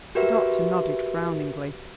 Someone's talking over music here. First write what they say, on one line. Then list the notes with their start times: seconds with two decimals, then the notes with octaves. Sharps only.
The doctor nodded frowningly.
0.15 F#4 G4 A#4 B4 E5